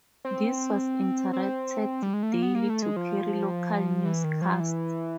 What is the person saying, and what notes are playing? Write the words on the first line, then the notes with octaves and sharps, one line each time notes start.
This was interrupted daily to carry local newscasts.
C4
C4
G3
G#3
A3
A#3
B3
A#3
A3
G#3
F3
E3
D#3
F3
E3